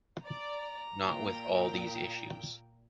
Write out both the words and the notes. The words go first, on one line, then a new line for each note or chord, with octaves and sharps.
Not with all these issues.
D5 A#5
A#2 G5